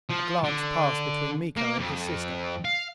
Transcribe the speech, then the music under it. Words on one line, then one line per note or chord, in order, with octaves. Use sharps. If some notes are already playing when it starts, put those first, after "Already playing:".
A glance passed between Miko and his sister.
F3
D3
A#3
F2
F5